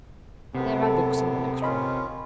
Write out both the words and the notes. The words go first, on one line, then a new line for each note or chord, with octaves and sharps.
There are books in the next room.
F#2 A2 C3 B3
G#4 A4
D#3 C#4 F4 D#5 B5